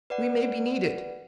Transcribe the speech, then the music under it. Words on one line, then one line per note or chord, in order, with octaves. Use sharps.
"We may be needed."
B4 D5 F#5